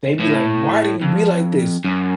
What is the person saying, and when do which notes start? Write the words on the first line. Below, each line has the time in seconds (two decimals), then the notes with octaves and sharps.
They'd be like, "Why do you be like this?"
0.20 A2
1.02 F2
1.84 F#2